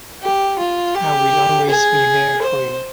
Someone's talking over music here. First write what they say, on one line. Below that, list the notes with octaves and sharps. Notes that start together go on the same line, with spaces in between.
I will always be there for you.
G4
F4
G4
G#4
C5